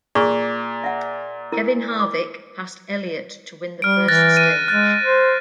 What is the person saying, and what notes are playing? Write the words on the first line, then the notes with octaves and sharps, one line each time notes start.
Kevin Harvick passed Elliott to win the first stage.
A#2 G#4 C#6
E5 F#5
E4 A#4
D6
G3 F6 D7
E3 F#6 A6 A#6
D#7
G#3 F#6 A6
C5